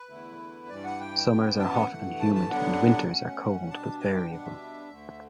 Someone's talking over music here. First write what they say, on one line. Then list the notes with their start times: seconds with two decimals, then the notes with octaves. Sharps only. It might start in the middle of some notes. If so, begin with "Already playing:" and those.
Summers are hot and humid and winters are cold but variable.
Already playing: B4
0.09 E2 D3 A3 E4
0.69 G2 E3 G3 D5
0.84 F#5
0.99 G5
1.29 F#2 E3 B3
1.59 A5
1.74 F#5
1.90 G2 E3 A3
2.20 A5
2.35 A5
2.50 G2 D3 F#3 B3 D4 F#5
3.10 B2 A3 C#4
3.70 B2 G3 D4 A5
4.00 A5
4.15 G5
4.29 B2 G3 D4 F#5
4.45 E5
4.90 D2 D3 A3